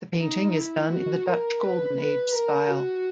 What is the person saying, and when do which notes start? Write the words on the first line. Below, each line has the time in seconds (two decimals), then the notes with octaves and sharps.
The painting is done in the Dutch Golden Age style.
0.20 D#4
0.56 E4
0.91 F#4
1.26 A#4
1.62 B4
1.97 B4
2.32 A#4
2.69 F#4